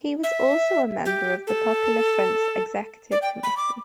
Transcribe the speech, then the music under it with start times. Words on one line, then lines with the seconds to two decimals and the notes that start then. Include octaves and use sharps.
He was also a member of the Popular Front's executive committee.
0.23 E5
1.05 G4
1.47 A4
3.12 D5
3.22 G5
3.43 B5
3.57 D6